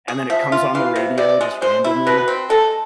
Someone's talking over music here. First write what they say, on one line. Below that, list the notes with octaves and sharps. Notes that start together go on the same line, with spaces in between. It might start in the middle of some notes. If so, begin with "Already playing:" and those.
and then it comes on the radio, just randomly.
G#4
F3 E5
F4
E3 F5
C3
C3 D5
G#3
G#3 C5
E4
B2 B4
C4
G#3 A4